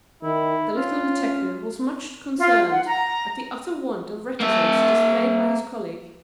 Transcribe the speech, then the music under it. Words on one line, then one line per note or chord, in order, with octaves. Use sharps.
The little detective was much concerned at the utter want of reticence displayed by his colleague.
D#3 E4
C#4 F4
F4
F#5
A#5
A#3 E5